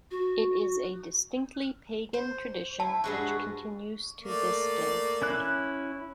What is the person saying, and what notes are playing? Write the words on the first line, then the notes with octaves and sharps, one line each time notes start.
It is a distinctly Pagan tradition which continues to this day.
F#4
C5
E4 A5
G2 G#3 F#4
A3 A#3 D5
C#4 E4 F#6